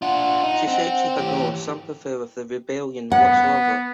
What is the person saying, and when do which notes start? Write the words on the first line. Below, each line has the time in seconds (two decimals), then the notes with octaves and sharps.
She said she had no sympathy with the rebellion whatsoever.
0.02 D4 F4 F#5
0.43 D#4
0.67 C4
1.18 E3 G4
3.12 B3 F#5